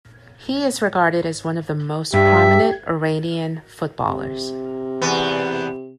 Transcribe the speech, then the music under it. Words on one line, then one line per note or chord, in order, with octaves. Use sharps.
He is regarded as one of the most prominent Iranian footballers.
G2 G4 E5
C3
E2 B3